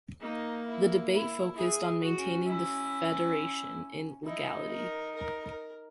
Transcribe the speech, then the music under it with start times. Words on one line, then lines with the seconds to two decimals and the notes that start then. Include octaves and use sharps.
The debate focused on maintaining the Federation in legality.
0.21 A#3 D#4
0.67 E4
1.11 E4
1.55 E4 G#4
2.01 F#4
2.16 C#4
2.46 E4
4.25 D#4 E4
4.70 A#4
5.15 A#4
5.45 A#4